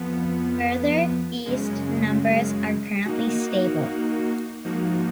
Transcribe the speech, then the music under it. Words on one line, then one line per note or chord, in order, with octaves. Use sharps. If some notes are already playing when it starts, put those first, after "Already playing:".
Further east, numbers are currently stable.
Already playing: F2 F3 B3
F#2 C#3 G#3
A#3 D#4 F#4
G#2 F3 A#3 D#4 F#4